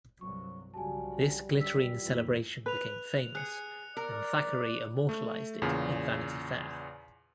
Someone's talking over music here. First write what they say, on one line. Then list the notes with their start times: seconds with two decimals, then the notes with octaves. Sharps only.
This glittering celebration became famous, and Thackeray immortalised it in "Vanity Fair".
0.21 C2 G2 F#3 C#6
0.74 B1 C#3 F3 G3 F#4 G#5 A5
1.60 F#2 E6 B6
2.02 F2 A2 E3 A#3 F4
2.66 B4 F#6 F7
3.35 G#4 F#6 C#7
3.97 A#4 D5
5.09 A3
5.62 E2 A#2 C#3